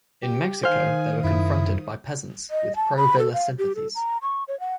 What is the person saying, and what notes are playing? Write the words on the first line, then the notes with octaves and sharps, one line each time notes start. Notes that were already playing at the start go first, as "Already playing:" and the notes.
In Mexico they were confronted by peasants with pro Villa sympathies.
G4
D#3 C5 F5 G#5 D#6
F#2 E4
D#5
A5
B5
A4
F5
G4
A4
A#5
C#6
C#5
F#5